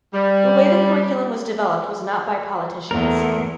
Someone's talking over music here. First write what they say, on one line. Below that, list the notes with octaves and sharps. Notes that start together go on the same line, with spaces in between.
The way the curriculum was developed was not by politicians.
G3
E2 A3 A#4